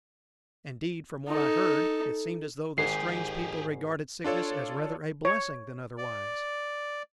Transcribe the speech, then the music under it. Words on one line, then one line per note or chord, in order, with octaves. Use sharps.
Indeed, from what I heard it seemed as though this strange people regarded sickness as rather a blessing than otherwise.
D#4 A4
G#1 G#2 G4 G#4 C7
D4 F4 A4 C#5 D5
C#5
D5